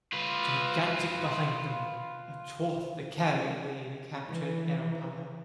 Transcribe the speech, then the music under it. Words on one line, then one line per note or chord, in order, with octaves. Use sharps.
Gigantic behind them, athwart the carrier lay the captured aeropile.
F4 B4
E3